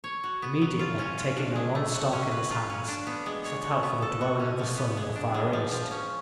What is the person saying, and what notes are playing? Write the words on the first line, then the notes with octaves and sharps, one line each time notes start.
Immediately, taking a long stalk in his hands, he set out for the dwelling of the sun in the far east.
C#5
F#4
B3
F#3
F4
C#4
F4
D4
G#3
A3
F#4
C#4
B4
F4
C#4
D4
B3
G#3
C#5
F#4
B3
A4
F#4
C#4
F3
B3
G#3
D4
G#3
F3
F3
C#4